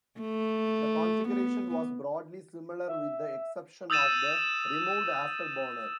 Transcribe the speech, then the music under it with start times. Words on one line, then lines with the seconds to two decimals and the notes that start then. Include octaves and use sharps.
The configuration was broadly similar with the exception of the removed afterburner.
0.20 A3
1.29 B3
2.88 E5
3.90 D#6 E6 G6 A6 D#7 E7